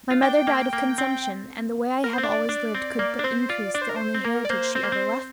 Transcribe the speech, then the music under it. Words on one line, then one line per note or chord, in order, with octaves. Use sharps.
My mother died of consumption, and the way I have always lived could but increase the only heritage she ever left me.
F4
D4 G5
A#3
A#3
C4
A#4
C4 C5
D4 D5
D4
C4
A#3
D4
C4 C5
F4 D5
D4 D5
C5
A#4
C5
C4
A#3 A#4
D5
A#3 C5
C4 C5
A#3
C4